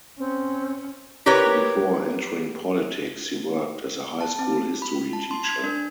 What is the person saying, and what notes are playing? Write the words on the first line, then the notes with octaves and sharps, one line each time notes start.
Before entering politics, he worked as a high school history teacher.
C4 C#4
E4 G4 A#4 B4 C#5
A5
C4
B5
A5
C6
G#6
D4